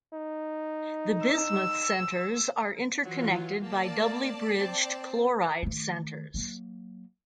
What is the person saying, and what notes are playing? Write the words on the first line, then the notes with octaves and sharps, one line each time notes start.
The bismuth centers are interconnected by doubly bridged chloride centers.
D#4
E6
E3 F#3 F4
A#3 D5 A5
C4
D#3 A3
F#3 A#3